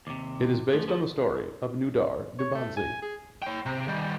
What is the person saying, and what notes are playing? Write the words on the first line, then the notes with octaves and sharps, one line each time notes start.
It is based on the story of Nodar Dumbadze.
D#2 C3 D6
F3 A3 G#4 B6
F3 F4 G#4 B4
C#5
A3
G#5
G#4
C#5 G5
C3
D#3 G3